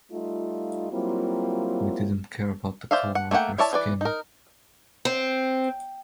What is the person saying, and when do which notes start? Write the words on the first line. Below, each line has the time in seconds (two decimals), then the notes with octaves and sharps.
We didn't care about the color of your skin.
0.11 G3 A3 D#4 F4
0.92 F#3 G3 A#3 C4 E4 F4
2.91 C5 D5 E5 F5
3.15 F#5
3.31 A3 A#3 D#4 F#5 G5
3.58 E4 C#5 D5 E5 A5
3.73 E3 B4 D5
4.01 D#4 A#4
5.05 C4